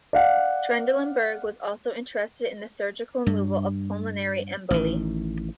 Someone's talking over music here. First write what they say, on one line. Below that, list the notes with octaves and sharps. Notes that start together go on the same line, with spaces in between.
Trendelenburg was also interested in the surgical removal of pulmonary emboli.
D5 F5 F#5
G2
A1 D#3